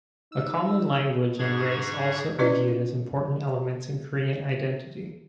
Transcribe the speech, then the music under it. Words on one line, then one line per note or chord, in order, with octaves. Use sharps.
A common language and race also are viewed as important elements in Korean identity.
D#4 E6
G#2 D4 G#4 C#6 G#6
C#4 E4 F4 B4 D5 D#5